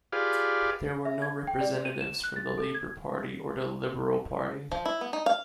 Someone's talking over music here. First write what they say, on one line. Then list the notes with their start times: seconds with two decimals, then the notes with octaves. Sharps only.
There were no representatives from the Labour Party or Liberal Party.
0.12 F4 G4 G#4 B4 D5 F5
1.05 E5
1.22 G#6
1.47 G5
1.61 D5
1.85 D#7
2.01 E7
2.24 F#6
2.36 A6
2.58 A4
2.75 G#6
4.72 F3
4.85 E4
5.01 B3
5.13 D#4
5.26 F5